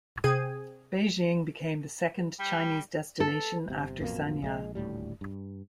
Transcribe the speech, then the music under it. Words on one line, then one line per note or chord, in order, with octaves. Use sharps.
Beijing became the second Chinese destination after Sanya.
C3 G#4 D#6
G3
A4
G1 C3
A1 F2 B2 A#3
A#1 G3 G#3
D#1 D2 A2 G3
G2